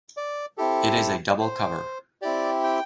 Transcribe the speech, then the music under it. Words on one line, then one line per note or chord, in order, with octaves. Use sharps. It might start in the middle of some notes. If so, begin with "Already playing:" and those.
It is a double cover.
D5
C4 E4 G4 A4
C5
C4 E4 G4 D5
G5